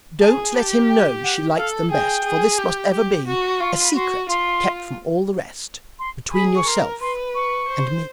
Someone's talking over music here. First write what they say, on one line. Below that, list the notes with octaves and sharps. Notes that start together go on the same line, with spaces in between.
Don't let him know she liked them best, For this must ever be A secret, kept from all the rest, Between yourself and me.'
G#4 A5
G4 A5
G5
F#5
A4 F5
G#4 G5
G#4
G4
G4
F#4
F4 C#6
C6
B5
F#4 C6
F4 C6
C6
G#4 B5
C#6
A#4 C6
B4 C6
C#6
C5